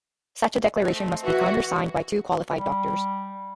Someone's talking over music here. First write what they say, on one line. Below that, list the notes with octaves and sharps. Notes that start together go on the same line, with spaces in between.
Such a declaration must be countersigned by two qualified doctors.
A3 C4 D#4
E3 F#4
G3